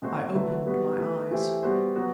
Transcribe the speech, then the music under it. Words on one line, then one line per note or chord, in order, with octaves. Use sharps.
I opened my eyes.
B2 A3 C4 F#4 C5
D3 F#3 A3 E4 B4
G3 B3 F#4 B4
A3 E4 B4
E3 A3 E4 G4 C5
G3 B3 F#4 C5
F#3 B3 F#4